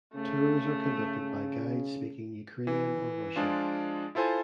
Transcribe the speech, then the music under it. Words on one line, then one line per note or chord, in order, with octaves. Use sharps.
Tours are conducted by guides speaking Ukrainian or Russian.
C#3 A3
E3
F3 G#3 D4 F4
E4 F4 A4 C5 G#5 C6